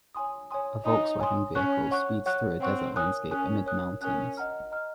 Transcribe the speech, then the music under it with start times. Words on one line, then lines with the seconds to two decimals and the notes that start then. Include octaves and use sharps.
A Volkswagen vehicle speeds through a desert landscape amid mountains.
0.15 C#5 G#5 C6 D#6
0.51 C#5 G#5 C6 D#6
0.85 D#4 C#5 G#5 C6 D#6
1.20 C#5 G#5 C6 D#6
1.55 C#4 C#5 F#5 C#6 F#6
1.91 C#5 F#5 C#6 F#6
2.26 C#5 F#5 C#6 F#6
2.61 C4 C#5 F#5 C#6 F#6
2.96 A#4 C#5 G#5 D#6 F#6
3.31 C#4 A#4 C#5 G#5 D#6 F#6
3.66 A#4 C#5 G#5 D#6 F#6
4.02 C#4 A#4 C#5 G#5 D#6 F#6
4.37 D#5 F#5 A#5 F6
4.71 D#5 F#5 A#5 F6